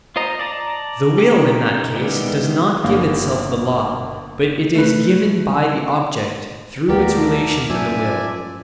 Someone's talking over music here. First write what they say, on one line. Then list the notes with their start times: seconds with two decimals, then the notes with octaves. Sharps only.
The will in that case does not give itself the law, but it is given by the object through its relation to the will.
0.16 F4 C5 D#5 A#5
0.39 D5 A5 A#5
1.18 C#3 A#3 D#4 G4
1.95 D#3 E3 G3 G#3 B3
2.84 G1 A#3 F5
4.75 A3 B4
6.88 D#2 A3 B3 F#4 G4 A#4 D5
7.16 D3 E4
7.70 F#2 F3 D5 E5 G#5